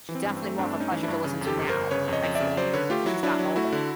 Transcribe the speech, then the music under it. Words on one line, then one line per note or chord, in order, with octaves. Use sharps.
She's definitely more of a pleasure to listen to now, I feel, as she's gotten older.
E3
C4
G2
C4
A3
G2 C4 D4
D4
A3 C#4 D#4
E3
G2 D4 E4
C#3
F2
G4 A4
G1
A#4 C5
G1
C#3 B4 C#5
F2 C#5 D#5
F2
D5 E5
C#3
F#3 C5 D5
D3 B4 C#5
A3 F4 G4
F#3 E4 F#4
F#3 D4 E4
F#3
A3 E4 F#4
D3